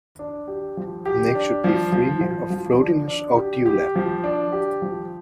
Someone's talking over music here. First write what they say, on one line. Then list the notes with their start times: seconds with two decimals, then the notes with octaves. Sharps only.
The neck should be free of throatiness or dewlap.
0.19 D4
0.48 G4
0.77 F3
1.06 G4
1.35 D4
1.64 F3
1.92 F3
2.21 F3
2.50 F3
2.79 D4
3.08 D4
3.37 G4
3.66 G4
3.96 F3
4.24 D4
4.52 G4
4.82 F3